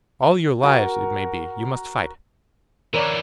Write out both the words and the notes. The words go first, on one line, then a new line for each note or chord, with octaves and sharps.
All your lives, it may be, you must fight.
F#4 A#4 A#5
D3 E3 A#4 C#5 D5